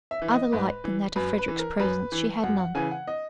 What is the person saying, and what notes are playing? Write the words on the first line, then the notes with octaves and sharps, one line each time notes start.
Other light than that of Frederick's presence she had none.
E5
E3
D#5
G#2 B4
E3
F#2 B4
B4
E3
A#4
F#2 B4
E3
F#2 F#5
F#5
C#3 E3 G#5
F#5
D#5